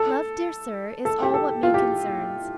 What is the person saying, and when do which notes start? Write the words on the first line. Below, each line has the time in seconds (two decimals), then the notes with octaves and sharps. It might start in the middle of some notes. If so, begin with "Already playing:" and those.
Love, dear sir, is all what me concerns.
Already playing: A4
1.05 A4
1.23 G4
1.34 A4
1.63 F4
1.74 G4